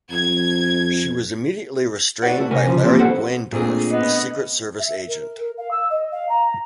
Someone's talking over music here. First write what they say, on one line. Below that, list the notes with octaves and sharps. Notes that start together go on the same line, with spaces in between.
She was immediately restrained by Larry Buendorf, a Secret Service agent.
F2 G#6
F#4 A4 B4 D5 F#5
A3 F#4
B1 C3 A#4 E5 G#5
C#3 E3 F3
E3 F3 G3 A#3 C4 C#4
B3 F#4 A4 B4 C5 F#5
A#2 A3 C4 D4 G#4
B3 D#5
E5
A#4
A#4
F5
E6
D#5
F5
A#5